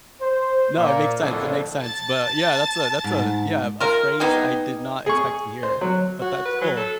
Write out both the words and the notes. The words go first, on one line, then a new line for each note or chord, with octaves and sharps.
No it makes sense, it makes sense, but, yeah, that's a that's a Yeah, a phrase I did not expect to hear, but that's cool.
C5
A#2 A#3
A#1 F2 A2 D3 D4 A4
A5 A6
G#2
F4 A#4
B3 D#4 G4 G#4
G#4 C#6
C5
F#3
F#4
B4
F#3
A4